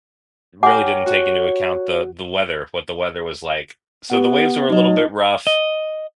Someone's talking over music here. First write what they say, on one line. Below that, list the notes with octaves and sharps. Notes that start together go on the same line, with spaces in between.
really didn't take into account the the weather, what the weather was like, so, the waves were a little bit rough
G4 A#4 C#5 F#5 G#5 D6
F#4
B3 G4 F#5
F#3 D#4 D#5
D#5